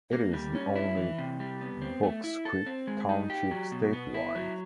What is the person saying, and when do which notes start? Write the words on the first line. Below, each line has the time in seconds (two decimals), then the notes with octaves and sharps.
It is the only Bokescreek Township statewide.
0.13 A#3
0.33 G3
0.55 C#4
0.76 E4
0.97 E3
1.18 C3
1.40 G3
1.61 B3
1.81 C4
2.03 A3
2.24 E4
2.45 A4
2.66 C4
2.87 G#3
3.09 D#4
3.30 G4
3.51 F#3
3.72 B2
3.93 B3
4.14 E4
4.36 F#3